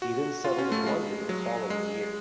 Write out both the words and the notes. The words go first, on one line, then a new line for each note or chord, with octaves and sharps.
He then settled in London the following year.
F#4
F4
C#4
A3
G#3
F#3
G#3